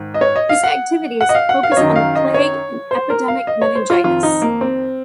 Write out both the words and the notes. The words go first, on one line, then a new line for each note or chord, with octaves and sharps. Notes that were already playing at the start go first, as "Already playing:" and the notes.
His activities focus on the plague and epidemic meningitis.
Already playing: G#2 D#3
D#5
C#5
D#5
F5
F#5
F#5
D#5
F5
F#5
F5
C#5
F#2 D#3 D#5
F5
D#5
C#5
C5
A#4
F5
D#5
C#5
C5
F4
F2 D#3 F4
D#4
A#3
C4